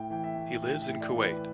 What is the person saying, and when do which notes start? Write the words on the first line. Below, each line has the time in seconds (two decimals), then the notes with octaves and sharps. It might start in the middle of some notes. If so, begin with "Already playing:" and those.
He lives in Kuwait.
Already playing: A2 G5
0.10 E3 G5
0.24 E5
0.36 A3
0.62 A2 G5
0.82 E5
0.88 A2
1.01 D5
1.14 E3
1.21 B4